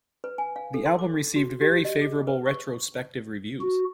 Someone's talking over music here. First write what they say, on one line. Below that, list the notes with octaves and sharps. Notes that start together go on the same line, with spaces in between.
The album received very favourable retrospective reviews.
B4
G#5
F5
A4
C6
D6
F#4
G4
D#5
G#4
B4
C#6
F#4